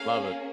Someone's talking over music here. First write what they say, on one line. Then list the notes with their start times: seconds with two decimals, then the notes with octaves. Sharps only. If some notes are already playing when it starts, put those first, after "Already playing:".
Love it.
Already playing: A#3 C#4 G#4 F5